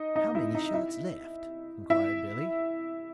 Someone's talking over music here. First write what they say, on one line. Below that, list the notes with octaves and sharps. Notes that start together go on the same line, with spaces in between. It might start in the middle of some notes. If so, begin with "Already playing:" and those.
"How many shots left?" inquired Billy.
Already playing: D#4 D#5
D#4 D#5
E4 E5
D#4 D#5
E4 E5
E4 E5